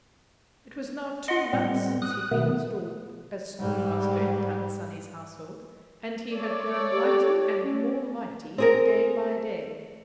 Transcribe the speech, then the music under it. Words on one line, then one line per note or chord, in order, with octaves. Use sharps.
It was now two months since he had been installed as schoolmaster in Tant Sannie's household, and he had grown mighty and more mighty day by day.
D#5 F#5 C6
A2 G3 B3 C4
D#6 F#6
B2 D#3 A3 B3
G#2 G3
A4 C#5 D5
G4
C#4
C4 G#4 A#4